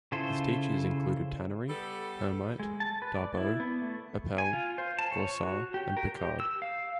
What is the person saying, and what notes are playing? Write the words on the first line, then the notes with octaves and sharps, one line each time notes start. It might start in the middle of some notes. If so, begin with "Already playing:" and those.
His teachers included Tannery, Hermite, Darboux, Appell, Goursat and Picard.
C#3 E4 F4 A4 C5
G3 B3 A4
G#3
A5
B4
D5
E4
B3
A3
G#5
F4
C5
A5
C#5
F#4
G4
A#4
G4
E6
F5